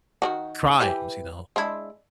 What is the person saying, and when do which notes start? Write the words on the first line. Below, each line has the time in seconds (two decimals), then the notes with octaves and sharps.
crimes, you know,
0.22 D#3 E3 F#4
0.80 E3 G4 B4
1.56 G#3 D4 E4